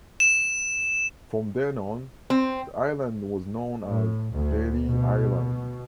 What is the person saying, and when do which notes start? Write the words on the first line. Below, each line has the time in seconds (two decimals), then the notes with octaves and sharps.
From then on, the island was known as Bailey Island.
0.20 E7
2.30 C4
3.88 A2
4.33 D2
4.86 B2